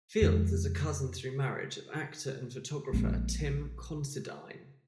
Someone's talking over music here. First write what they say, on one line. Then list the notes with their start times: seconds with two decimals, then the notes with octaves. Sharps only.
Fields is a cousin through marriage of actor and photographer Tim Considine.
0.21 F2 D#3 G#3
2.93 A#1 A#2 G#3 C4